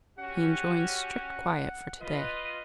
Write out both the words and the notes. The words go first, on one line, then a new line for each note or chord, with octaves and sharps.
He enjoins strict quiet for to-day.
C#4 F#4 G4 F#5
F4 B4 D#5